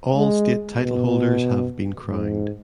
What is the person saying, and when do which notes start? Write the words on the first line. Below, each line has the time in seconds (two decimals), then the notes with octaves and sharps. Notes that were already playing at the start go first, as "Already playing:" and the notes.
All state titleholders have been crowned.
0.14 G#3
0.78 B2
2.07 G#2